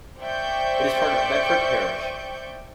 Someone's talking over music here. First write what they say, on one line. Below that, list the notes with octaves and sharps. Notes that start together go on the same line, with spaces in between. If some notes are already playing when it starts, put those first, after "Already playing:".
It is part of Bedford Parish.
C5 D5 E5 G5 C#6 G6